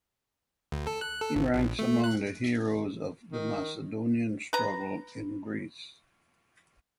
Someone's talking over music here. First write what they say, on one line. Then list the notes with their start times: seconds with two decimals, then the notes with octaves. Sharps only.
He ranks among the heroes of the Macedonian Struggle in Greece.
0.72 D2
0.87 A4
1.01 F#6
1.21 A4
1.35 G#1
1.54 A#1
1.79 A3
2.04 F#6
3.32 D#3
4.53 B4 A#5